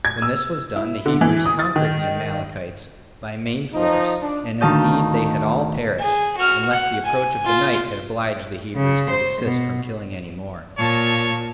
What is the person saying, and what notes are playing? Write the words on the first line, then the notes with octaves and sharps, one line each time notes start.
When this was done, the Hebrews conquered the Amalekites by main force; and indeed they had all perished, unless the approach of the night had obliged the Hebrews to desist from killing any more.
G#6
E6
E4
D3
E3
D#6
A6
D#3
F3 D#4
D4
D2 D#3 F5 A5 D#6 G6
G#4
F#4 F6
F#5
G#5
F4
C#3
C5
B2
A#2 C#5 A5